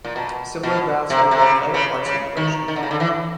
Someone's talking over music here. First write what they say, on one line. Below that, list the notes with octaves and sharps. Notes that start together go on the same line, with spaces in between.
Similar baths opened in other parts of the British Empire.
A#2
B2
B2
C3
C3
C#3
C#3
C#3
D#3
D#3
D3
C#3
D3
E3